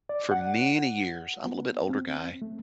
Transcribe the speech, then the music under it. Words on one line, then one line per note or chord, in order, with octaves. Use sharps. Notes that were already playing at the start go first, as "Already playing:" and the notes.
For many years I'm a little bit older guy.
D5
F#5
B3
C4
A3